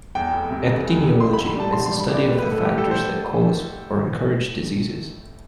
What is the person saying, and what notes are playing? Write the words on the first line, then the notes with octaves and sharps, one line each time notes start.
Epidemiology is the study of the factors that cause or encourage diseases.
E2 G5
F1
C3
F1
E2
F1
A1 C6
A2 B5
B5
G3 A5
A1 C6
C6
G3
B5
A1 D5
A2 B4
A2 B4
A4
A2 G4
G3 A4
C5